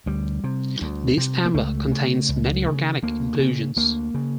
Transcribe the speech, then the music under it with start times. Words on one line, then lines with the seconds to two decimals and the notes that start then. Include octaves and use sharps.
This amber contains many organic inclusions.
0.06 D2 G3
0.44 C3
0.81 D2
1.17 C3
1.45 A#3
1.55 C#2 A3
1.91 C#3
2.29 C#2
2.66 C#3
3.03 D2 A#3
3.39 C#3
3.76 D2 A#3
4.14 C#3